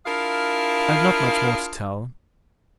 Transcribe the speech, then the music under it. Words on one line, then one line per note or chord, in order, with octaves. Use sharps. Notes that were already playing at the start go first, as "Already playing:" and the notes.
I have not much more to tell.
D4 E4 F4 G#4 A#4 F5